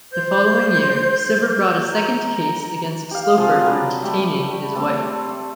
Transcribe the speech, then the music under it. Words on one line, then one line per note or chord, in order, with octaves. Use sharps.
The following year, Cibber brought a second case against Sloper for "detaining" his wife.
C5 G6
A#5
G4 F5
C3 F3 F4 G#4
F#3 G3
G3 A3 G4
A3 C4 A4 D5